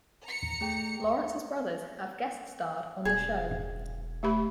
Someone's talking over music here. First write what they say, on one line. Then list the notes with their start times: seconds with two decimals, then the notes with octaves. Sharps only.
Lawrence's brothers have guest starred on the show.
0.24 A#5 C#7
0.61 A3 G#4 G5
3.05 E1 G#4
4.23 A3 G4 B5